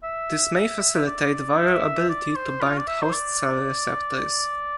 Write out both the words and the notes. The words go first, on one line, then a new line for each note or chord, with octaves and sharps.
This may facilitate viral ability to bind host cell receptors.
E5
E5
E5
D5
E5
D5
C5
F4
D5
E5
C5
D5
D5